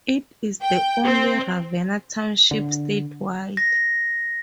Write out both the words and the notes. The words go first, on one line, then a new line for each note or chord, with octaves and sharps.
It is the only Ravenna Township statewide.
G5
C4
D3
A#6